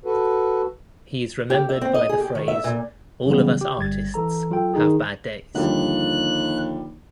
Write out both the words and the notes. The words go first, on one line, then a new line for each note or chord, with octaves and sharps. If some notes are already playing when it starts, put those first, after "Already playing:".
He is remembered by the phrase, all of us artists have bad days.
F#4 A4 B4
G4
E5
C4
D#5
G#4
G4
D#3
E5
A#2
C#3 E3 F#3 G3 B3
G4
G1 G3 G#6 A6
E3 A4 A#5
F#3 F4 A4 G5
D#3 D#4 G#4
D#2 D3 F3 G3 F#6